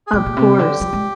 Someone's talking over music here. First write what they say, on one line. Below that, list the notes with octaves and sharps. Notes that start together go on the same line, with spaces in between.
Of course.
G#4
A#2 G4
A#2
C3
D3
F3
G#3